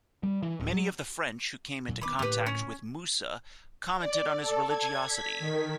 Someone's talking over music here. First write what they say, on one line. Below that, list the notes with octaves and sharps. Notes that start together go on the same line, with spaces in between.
Many of the French who came into contact with Moussa commented on his religiosity.
G3
E3
D1
F#3
D2 A#2 F#3
D#3 B3 B5 D6
A2 D3 A#3 G4 B4
C#4
D5
A4
G#6
B6
D#3